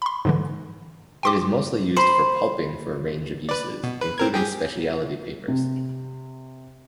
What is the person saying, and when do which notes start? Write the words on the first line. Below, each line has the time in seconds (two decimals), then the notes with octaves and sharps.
It is mostly used for pulping for a range of uses, including speciality papers.
0.02 B5 C6
0.25 G#2 D3 E3
1.23 G5 C6 D6
1.97 C5 B5 C7
3.49 B4 D5
3.84 B2
4.01 B4
4.18 C4 A#4 G#6
4.34 G4 G#4 G5
5.48 C3